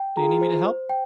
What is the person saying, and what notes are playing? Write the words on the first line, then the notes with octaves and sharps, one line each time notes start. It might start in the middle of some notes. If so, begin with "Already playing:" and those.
Do you need me to help?
Already playing: G5
F4 G#4 A#5
C5
C5
G5